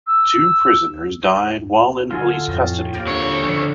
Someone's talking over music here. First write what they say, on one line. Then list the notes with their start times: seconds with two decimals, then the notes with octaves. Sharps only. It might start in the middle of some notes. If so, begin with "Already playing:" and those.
Two prisoners died while in police custody.
0.07 E6
2.11 D3 F#3 F4 A4 G#5
2.48 F2 A2 D#5
2.93 D#2 A#4 D5 G5
3.07 D3 C#5
3.43 C#3 F3